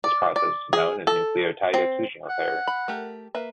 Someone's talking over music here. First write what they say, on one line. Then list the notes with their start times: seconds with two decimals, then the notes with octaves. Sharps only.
This process is known as nucleotide excision repair.
0.04 D5
0.36 D5
0.73 G#4
1.07 A4
1.74 C4
2.29 F#5
2.68 B5
2.88 A3 G4 A#4
3.35 A#3 B4 E5